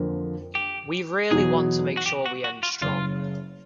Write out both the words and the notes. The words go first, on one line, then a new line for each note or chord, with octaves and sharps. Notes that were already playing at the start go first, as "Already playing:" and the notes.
We really want to make sure we end strong.
Already playing: F2 D3 F3 A#3
G4
E2 B2 F#3 G#4
F#4
G4
F#4
F#4
F4
F#1 C#3 F4